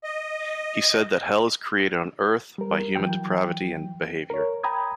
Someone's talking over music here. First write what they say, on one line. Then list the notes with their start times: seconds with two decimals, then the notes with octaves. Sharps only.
He said that hell is created on earth by human depravity and behavior.
0.04 D#5
2.58 G3 A#4
2.95 E3 F#3 G5
4.30 A#4 C#5
4.63 G5 A#5 B5 D#6 G#6